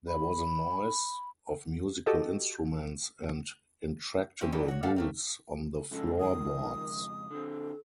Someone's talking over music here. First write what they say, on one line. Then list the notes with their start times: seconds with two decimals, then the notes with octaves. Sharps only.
There was a noise of musical instruments and intractable boots on the floorboards.
0.08 B5
2.06 F#4 G4 A4 D#5
4.41 C4 C#4 E4 G4 C5
4.52 F2 E3 F#3 G3 D4
4.68 F#4 C#5
4.83 A3 A#3 D4 A4 F5 F#5
4.96 A3 A#3 C4
5.91 F2 C#3 G#3 C#4 A4
6.19 D#3 D#6
7.31 D3 C4 A4